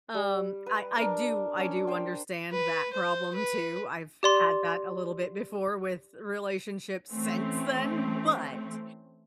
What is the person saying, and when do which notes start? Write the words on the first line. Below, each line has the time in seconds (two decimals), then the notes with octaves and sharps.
um, I I do I do understand that problem, too. I've had that a little bit before with relationships since then, but,
0.14 G3
0.66 B4
0.98 D4 A#4
1.58 C#4 D4
1.87 C5 G5
2.52 B4
2.93 C5
3.35 B4
4.23 G4 D5 C6
7.11 E3 A3 C4 C#4